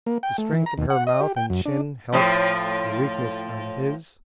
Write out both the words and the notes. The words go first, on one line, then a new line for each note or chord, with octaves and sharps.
The strength of her mouth and chin helped the weakness of his.
A#3
G5
A3
E3
A#5
D#2
F#5
D#5
G4
G5
F#2
D4
A2 F3